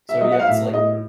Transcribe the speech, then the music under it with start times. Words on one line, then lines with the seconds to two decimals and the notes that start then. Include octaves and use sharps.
so, yeah, it's, like, eh,
0.09 E5
0.21 F#3 D#5
0.32 F#5
0.40 F5
0.47 A2 E5
0.73 A2 D#5